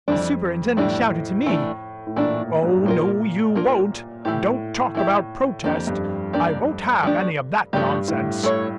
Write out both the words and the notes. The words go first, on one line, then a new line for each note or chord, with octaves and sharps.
The superintendent shouted to me, "Oh, no, you won't; don't talk about protest; I won't have any of that nonsense."
F2 E3 G3 D4
A2 E3 G3 D4
E3 A3 D4
A2
A#2 E3 A3 D4
A2
G2
A2
A#2 A#3 D4 F4 A#4
A#3 D4 F4 A#4
A2 E3 A3 E4 G4
E3 A3 E4 G4
F2 A#3 D4 G4 D5
G2
A#3 D4 G4 D5
F3 A3 D4 G4
G2 F3 A3 D4 G4
A2
A3 E4 A4 C#5